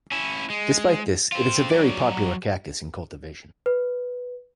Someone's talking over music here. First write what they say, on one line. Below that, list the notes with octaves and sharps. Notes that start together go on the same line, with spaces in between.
Despite this, it is a very popular cactus in cultivation.
C#4 E4
G#3
C4 F4
F#3 D5
B4